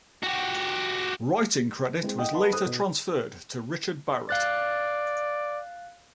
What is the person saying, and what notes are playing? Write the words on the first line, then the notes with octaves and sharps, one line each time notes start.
Writing credit was later transferred to Richard Barrett.
F#4 G4
G#3 C4 G#4
D#5 F#5 G5 D#6
B4 D#5 F#5 A5 B5 C6
A4 C5 D#6 F#6
B2
D5 F5 F#6 A6